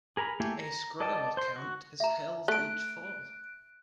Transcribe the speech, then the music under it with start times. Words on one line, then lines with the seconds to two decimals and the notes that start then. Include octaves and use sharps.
A squirrel count is held each fall.
0.17 G#4 A#4 A#5 B5
0.40 A3 A#3 E4 G4 G#4
0.58 A#5
1.00 A4 D5 D#5 G5 A5
1.37 C5 C6
1.56 F#4
2.00 E5 A#5
2.48 A3 F#6 D7